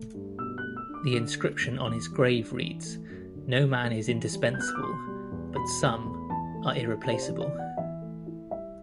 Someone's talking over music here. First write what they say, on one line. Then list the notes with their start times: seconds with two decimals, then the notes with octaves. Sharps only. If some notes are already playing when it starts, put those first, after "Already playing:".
The inscription on his grave reads, No man is indispensable but some are irreplaceable.
Already playing: A3
0.14 G2
0.39 B2 E6
0.58 F#6
0.63 A3
0.76 E6
0.89 D4
0.94 D6
1.13 D3 E6
1.37 A3
1.61 E2
1.87 E3 D6
2.11 G3
2.36 D4
2.60 E3
2.86 A3
3.09 F#2
3.35 D3
3.59 F#3
3.83 A3
4.08 E3
4.32 G3
4.54 G6
4.58 B3 F#6
4.68 E6
4.75 D6
4.82 B2 C6
5.07 G3
5.31 E2
5.56 B2 B5
5.81 A3
6.05 E2
6.30 E3 A5
6.54 A3
6.80 E4
7.03 C3 A5
7.13 C5
7.22 D5
7.28 E3
7.41 D5
7.52 B3
7.59 F#5
7.77 E3 E5
8.02 A3
8.26 E4
8.51 G3 E5